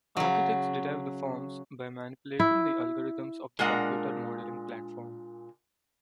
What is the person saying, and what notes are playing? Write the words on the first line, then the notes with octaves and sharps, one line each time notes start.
Architects derive the forms by manipulating the algorithms of the computer modeling platform.
C#3 F#3
E4
A#2 G#3 D4 A#4 F#5